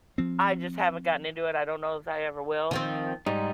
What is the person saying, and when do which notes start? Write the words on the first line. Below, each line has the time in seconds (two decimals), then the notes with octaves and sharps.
I just haven't gotten into it, I don't know if I ever will.
0.18 F3 C4
2.71 D#3 F3 C4
3.26 G#2 G3 D#4